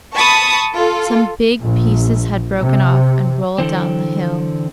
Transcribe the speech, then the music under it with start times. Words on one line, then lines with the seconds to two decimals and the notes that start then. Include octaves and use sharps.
Some big pieces had broken off and rolled down the hill.
0.14 A5 B5 C#6 D#6
0.75 F4 A4
1.62 A#1
2.61 C3
3.58 D3 E3 C4